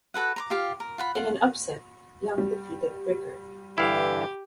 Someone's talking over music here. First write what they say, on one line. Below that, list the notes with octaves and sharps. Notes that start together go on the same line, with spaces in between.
In an upset, Young defeated Bricker.
F#4 A4 B4 F#5
A#5 C6 D6
F4 G4 F5
A#4
F4 F#5 B5
F4 F#5
G3
G2 D3 E3 E4 G4 F5